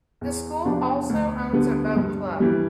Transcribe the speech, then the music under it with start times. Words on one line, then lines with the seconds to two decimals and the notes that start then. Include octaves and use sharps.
The school also owns a boat club.
0.21 E2
0.65 C3 F3 B3 D4
1.09 D2
1.53 D3 G3 B3
1.96 G2
2.40 E3 G3